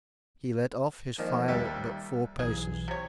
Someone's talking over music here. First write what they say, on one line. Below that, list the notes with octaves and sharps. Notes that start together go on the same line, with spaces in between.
He let off his fire at but four paces.
A#2 D#3 F3 D#4
D#2 G3 A4 E5
B1 E3 G#4
C3 C#5